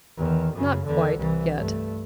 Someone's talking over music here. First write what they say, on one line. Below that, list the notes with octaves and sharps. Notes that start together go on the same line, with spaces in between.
'Not quite, yet.
E2 D#3
F#2 C#3
E2 D3
C2 E3
G2 A3